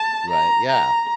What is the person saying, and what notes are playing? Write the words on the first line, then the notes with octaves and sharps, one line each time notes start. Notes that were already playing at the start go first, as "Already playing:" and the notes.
Right, yeah.
Already playing: A5
A#5
A#5